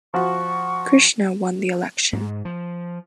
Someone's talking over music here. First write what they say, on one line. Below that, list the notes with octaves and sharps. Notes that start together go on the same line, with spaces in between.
Krishna won the election.
F3 F#4 C#6
G#2
F3